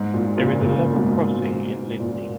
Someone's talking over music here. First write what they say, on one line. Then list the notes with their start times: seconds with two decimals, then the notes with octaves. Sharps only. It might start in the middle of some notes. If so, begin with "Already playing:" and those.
There is a level crossing in Lydney.
Already playing: G#2
0.14 A#2
0.37 A#2 C#3
0.61 A#2 C#3
0.96 G#2 B2
2.00 A#2